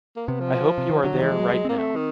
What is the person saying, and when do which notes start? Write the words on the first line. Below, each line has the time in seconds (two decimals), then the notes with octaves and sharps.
I hope you are there right now.
0.16 A#3
0.28 C3 B3
0.40 F3
0.53 F3
0.78 C3
0.90 D#3
1.02 D3 F#3
1.14 D#3
1.21 E3 G#3
1.31 F3
1.40 F#3
1.53 F#3
1.65 A#3 C4
1.77 A3
1.96 D#3